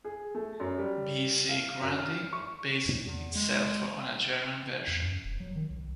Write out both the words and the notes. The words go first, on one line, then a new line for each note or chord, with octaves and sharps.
B. C. Grundy, based itself on a German version.
G#4
A3
F#2
G3
F5
F#2
F6
C#6
E2
G#3
E2
F#2
E1
F#3
D#3
C2